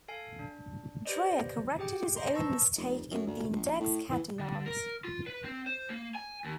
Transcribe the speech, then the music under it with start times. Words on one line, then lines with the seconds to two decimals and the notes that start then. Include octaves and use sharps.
Dreyer corrected his own mistake in the Index Catalogues.
0.08 A4 F5 G#5
0.39 D4
1.05 G4 B4 C5 D5 D#5
1.79 G4 G#4 G5 D6
2.16 C5 D#5 A#5 C6
2.33 B4 A5 C#6 E6
2.77 F1
3.11 F#2
3.27 D2
3.55 A#1
3.80 A2
4.11 E3
4.40 D3
4.66 A#4
5.05 F4
5.27 B4
5.44 C4
5.66 C5
5.90 A#3
6.15 G#5
6.45 D#2